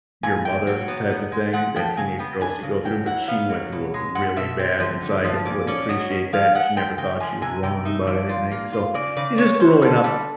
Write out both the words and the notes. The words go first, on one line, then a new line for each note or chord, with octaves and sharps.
your mother type of thing that teenage girls should go through, but she went through it really bad, and so, I didn't really appreciate that, and she never thought she was wrong about anything. So, you just growing up
A#2 G#5
A#2 G5
F#3
B3
B3
G#3
G#3 F#5
F3 G5
C#3 G#5
B3 G5
D4 G#5
C#3
F#3 G5
E4 F#5
B3 F5
F#3
B2
G#3
G#3 F#5
B2 E5
C4
F3
D3
F3
A#2 D5
C#4 D5
F#3 D#5
C#4
F3 F5
G#3 F#5
G#3 G5
C#3 G5
F3 G#5
C3 G#5
C3 G5
D#4 E5
F3 D5
F4
A#3
F4
C#3 D5
C#3 D5
C#3 C#5
C#4 C5
D3 A4
G3